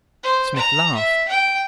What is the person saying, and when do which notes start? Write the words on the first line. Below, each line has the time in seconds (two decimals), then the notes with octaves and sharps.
Smith laughed.
0.24 C5
0.56 A#5
0.95 E5
1.28 G5